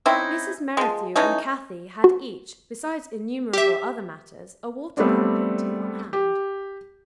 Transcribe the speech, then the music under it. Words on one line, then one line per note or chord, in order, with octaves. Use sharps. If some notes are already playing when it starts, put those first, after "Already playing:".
Mrs. Merrithew and Kathie had each, besides innumerable other matters, a water-colour painting on hand.
C4 C#4 D#4 E4
F3 G#3
E3 A3 C#4 D#4
F#4
G4 E5
G3 A3 B3 C4 D4
G4